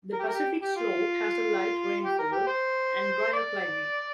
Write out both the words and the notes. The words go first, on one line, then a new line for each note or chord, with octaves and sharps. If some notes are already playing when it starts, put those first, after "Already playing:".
The Pacific slope has a light rainfall and dryer climate.
A#4
G4
A#4
G4
G4
F4
G4
A#4
G4
C5
D5